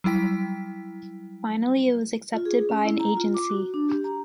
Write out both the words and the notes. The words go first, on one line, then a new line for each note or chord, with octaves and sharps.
Finally it was accepted by an agency.
F#3 G3 E4 G5 B6
F4
G#4
C#4
E4
A#5
F4
D6
F#4
D4
G4
A#5